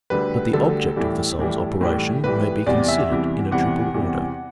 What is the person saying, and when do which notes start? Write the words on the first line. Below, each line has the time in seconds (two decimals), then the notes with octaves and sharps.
But the object of the soul's operation may be considered in a triple order.
0.10 D2 D3 G3 B4
0.53 D2 D3 G3 A4
0.96 A2 E3 G3
1.39 A2 E3 G3
1.81 A2 E3 G3
2.24 A2 E3 G3 B4
2.66 E2 C3 E3 G3 D5
2.88 E5
3.09 E2 C3 E3 G3
3.51 E2 C3 E3 G3 F#5
3.94 E2 C3 E3 G3